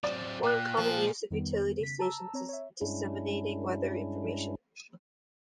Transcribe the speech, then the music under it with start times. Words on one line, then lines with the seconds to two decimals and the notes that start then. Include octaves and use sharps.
One common use of utility stations is disseminating weather information.
0.04 F#3 C4 D5
0.43 A#2 G5 F#6
0.77 F3
1.30 F2 D#3 G3 B3
1.79 C#3 B6
1.99 A5 A#5 E6
2.34 C4 C#5 A#5
2.49 C#5 E5
2.81 G2 G#3 C#4 D4 E4